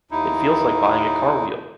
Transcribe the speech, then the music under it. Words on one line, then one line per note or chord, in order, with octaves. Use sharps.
It feels like buying a car wheel.
D#2 D#4 E4